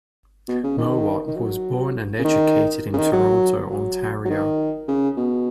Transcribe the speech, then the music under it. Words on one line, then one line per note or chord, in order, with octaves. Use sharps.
Mowat was born and educated in Toronto, Ontario.
B2
C#3
D#3
D#3
F#3
C#3
D#3
C#3
D#3
F#3
F#3
F#3
D#3
C#3
B2